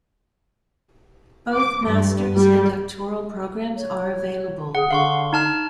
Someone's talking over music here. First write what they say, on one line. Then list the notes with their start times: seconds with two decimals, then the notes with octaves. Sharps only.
Both master's and doctoral programs are available.
1.55 D6
1.88 G2
2.36 G3
3.77 C#5
4.75 G#4 F#5
4.91 D3 F5 C6 C#6
5.33 D#4 A5 F6